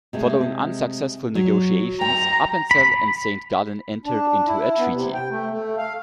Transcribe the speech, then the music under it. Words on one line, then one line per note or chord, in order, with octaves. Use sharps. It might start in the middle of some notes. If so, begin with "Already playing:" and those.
Following unsuccessful negotiations Appenzell and Saint Gallen entered into a treaty.
C3 G#3 A3
F#3
G5 A#5
B5
D4
E4
B3
C3
G5
A3
A3
F5